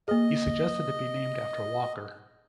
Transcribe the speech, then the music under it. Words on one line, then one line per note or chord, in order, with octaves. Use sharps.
He suggested it be named after Walker.
A#3 G#4 D#5